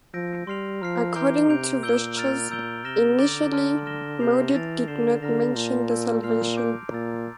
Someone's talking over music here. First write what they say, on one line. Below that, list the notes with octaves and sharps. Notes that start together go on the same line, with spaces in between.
According to Viesturs, initially Mauduit did not mention the salvation.
F3 E6 G6 A#6 D7
G3 C6 F6 C7 F7
F3 A#5 F6 C7
E3 A#5 D6 G6 D7 G7
C3 G6 D7 F7
A#2 E6 G6 D7 G7
A#5 F6 A6 D7 F7
A#2 A#5 E6 G6 D7 G7
C3 F6 A#6 E7 G7
D3 D6 A6 D7 G7
A5 C6 F6
F6 A#6 E7 G7
C3 G6 C7 F7
E3 E6 A6 D7 F7
D3 G6 C7 E7 G7
D3 A#5 F6 A#6 F7
A#2 A5 C6 G6
A5 C6 E6 G6 D7
A#2 C6 F6 C7 F7
D6 G6 D7
A#2 A#5 E6 A6